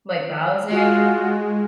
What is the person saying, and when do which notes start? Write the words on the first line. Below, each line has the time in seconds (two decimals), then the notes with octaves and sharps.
like, Bowser,
0.69 G#3 F4 F#4 G#4